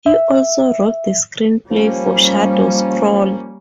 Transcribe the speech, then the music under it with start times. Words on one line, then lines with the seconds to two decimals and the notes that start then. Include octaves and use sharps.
He also wrote the screenplay for "Shadows Crawl".
0.06 E5
1.71 F3 G3 A#3 C#4